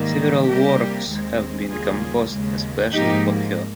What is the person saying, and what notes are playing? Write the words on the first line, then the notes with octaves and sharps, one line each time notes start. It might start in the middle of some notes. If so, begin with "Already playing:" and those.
Several works have been composed especially for her.
Already playing: G#2 D#3 G3 A#3
C3 G3 A#3 G4 A#4
D#2 D#3 G#3 C4
D#2 C#3 G3 A#3 F4 G#4
D#2 C#3 G#3
G#2 F3 A#3 D#4 G4